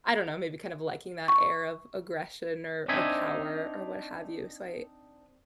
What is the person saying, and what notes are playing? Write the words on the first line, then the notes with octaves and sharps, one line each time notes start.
I don't know, maybe kind of liking that air of aggression or or power or what have you, so I
C#6
C4 D4 D#4 E5 G#5